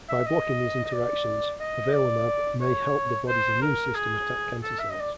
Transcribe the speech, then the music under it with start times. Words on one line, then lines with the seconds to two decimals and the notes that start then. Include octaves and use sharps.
By blocking these interactions, avelumab may help the body's immune system attack cancer cells.
0.09 E5
0.26 D#5
0.85 D#5
0.93 D5
1.60 D#5
1.94 D5
2.61 C#5
3.28 C5
3.62 A#4
3.95 G#4
4.63 A4
4.79 E5
4.90 D#5
5.00 D5